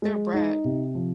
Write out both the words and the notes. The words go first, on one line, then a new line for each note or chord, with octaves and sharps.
They're a brat.
G#3
D#4
C3
F3